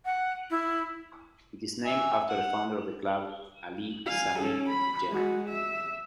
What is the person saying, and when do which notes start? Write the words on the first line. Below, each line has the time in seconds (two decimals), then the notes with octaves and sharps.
It is named after the founder of the club, Ali Sami Yen.
0.05 F#5
0.50 E4
1.86 E5 G#5
2.30 F#5
4.07 F5 G#5
4.39 C#4 A4
4.69 B5
5.09 G#3 F#4
5.49 E5